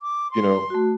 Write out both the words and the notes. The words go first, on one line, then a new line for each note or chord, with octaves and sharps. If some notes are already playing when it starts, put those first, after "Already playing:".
you know,
D6
C6
A3 F#4